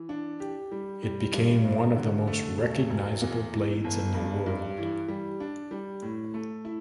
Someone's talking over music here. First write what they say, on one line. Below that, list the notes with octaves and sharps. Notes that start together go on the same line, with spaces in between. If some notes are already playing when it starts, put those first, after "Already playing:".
It became one of the most recognizable blades in the world.
Already playing: E3
D4
G4
G3
G3
G2
G2
D3
A3
E1
E1
E2
E3
G1
G2
G2
E3
G3
D4
G3
A2
A3
E4